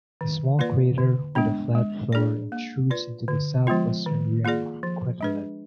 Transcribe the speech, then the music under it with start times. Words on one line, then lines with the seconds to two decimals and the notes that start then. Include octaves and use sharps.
A small crater with a flat floor intrudes into the southwestern rim of Quetelet.
0.21 D#3
0.59 A#3 F4 B4 D5
0.98 D3
1.35 G#3 B3 D4
1.75 G#3
2.13 D4 G#4 D5
2.52 A#3
2.91 F4 B4 D5
3.28 D3
3.67 F3 G#3 B3 F4
4.06 D#3
4.45 A#3 F4 G#4 D5
4.83 F3
5.21 G#3 D4 G#4 B4